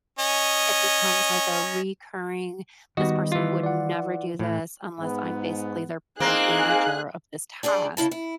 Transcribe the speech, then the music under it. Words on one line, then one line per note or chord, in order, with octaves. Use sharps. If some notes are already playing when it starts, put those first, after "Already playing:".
it becomes, like, a recurring this person would never do this unless I'm basically their their manager of this task,
C#4 D#5
D#3 G3 B3 F#4 D#5
E3 F4
D5 F#5
A2 E3
G#2 B3
A#3 C4 D#4 G#4 F5 F#6
D4 G#4 A4 D5
C#3 A#3 E4 A5
E4